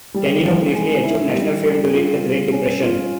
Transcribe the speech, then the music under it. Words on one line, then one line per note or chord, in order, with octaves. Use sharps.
Tenino briefly achieved national fame during the Great Depression.
G3
E3
G#3
E4
G3
G3
F4
G3
C#4
F4